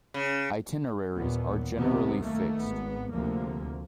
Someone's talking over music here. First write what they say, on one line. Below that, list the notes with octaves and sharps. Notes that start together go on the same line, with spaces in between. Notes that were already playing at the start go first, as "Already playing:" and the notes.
Itineraries are generally fixed.
C#3
D#2 A#2 E3 B3
C2 C3 D#3 B3
D#3 A3 A#3
G#1 B3
D2 C3 F3 A#3